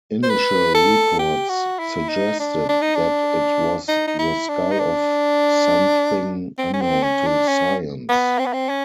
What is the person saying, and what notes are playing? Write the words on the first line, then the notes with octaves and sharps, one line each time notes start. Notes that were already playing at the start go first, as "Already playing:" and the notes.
Initial reports suggested that it was the skull of something unknown to science.
C5
B4
A4
G4
F#4
E4
D#4
D4
D4
D#4
D4
D#4
D#4
E4
D4
D#4
D4
C4
C#4
C4
C#4
D4
C#4
B3
C4
B3
C4
C#4